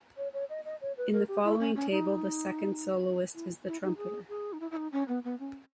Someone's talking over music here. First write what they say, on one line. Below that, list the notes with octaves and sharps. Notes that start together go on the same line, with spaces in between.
In the following table, the second soloist is the trumpeter.
C#5
C#5
D#5
D#5
C#5
B4
A#4
G4
E4
C#4
C#4
D#4
E4
E4
D#4
G#4
G#4
D#4
E4
E4
D#4
C#4
B3
B3
C#4